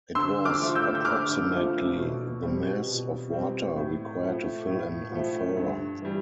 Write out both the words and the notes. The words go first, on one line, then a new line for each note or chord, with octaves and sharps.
It was approximately the mass of water required to fill an amphora.
D3 C6 E6
D6 F6
F3 A3
E6 G6
G6
D3 D6 F6
F3 A3
B2
G3 C4
B2
G3 C4
A2
F3 A3
A2
F3 A3
G2
E3 G3